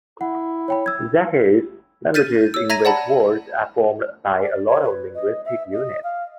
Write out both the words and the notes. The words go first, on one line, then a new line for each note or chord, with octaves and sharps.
That is, languages in which words are formed by a lot of linguistic units.
E4 F#5
C#5 G5 B5
E6 G#6
F6 G6 A6 B6 D#7
C#5 E6
E5 A#5 G#6 A#6 B6 D#7
D5 F#5 A5 B5
D5
C#5
B4
D#5
E5
D#5
F5